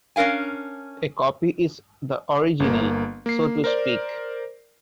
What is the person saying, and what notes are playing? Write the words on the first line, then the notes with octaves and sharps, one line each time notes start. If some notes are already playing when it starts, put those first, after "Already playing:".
A copy "is" the original, so to speak.
C#4 D4 A#4 F5 G#5
G1 A#3
A#3 C7
A#4 C5 D5